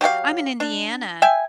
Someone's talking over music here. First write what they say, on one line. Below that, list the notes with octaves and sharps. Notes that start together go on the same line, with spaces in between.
I'm in Indiana.
F#3 G4 A4 F5
D4
E5 G5 G#5